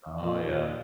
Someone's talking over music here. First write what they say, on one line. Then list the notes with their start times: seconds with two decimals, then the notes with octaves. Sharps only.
Oh, yeah.
0.21 A#2